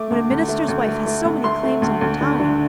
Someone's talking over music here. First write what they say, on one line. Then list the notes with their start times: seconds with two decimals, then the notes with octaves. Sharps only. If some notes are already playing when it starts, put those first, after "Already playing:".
When a minister's wife has so many claims on her time!
Already playing: A3 D6
0.10 D2
0.30 D2
0.48 A3
0.68 D2
0.87 A3
1.06 A3
1.25 D2
1.44 A3 C6
1.63 A3
1.82 D2
2.01 D2
2.21 D3
2.39 D3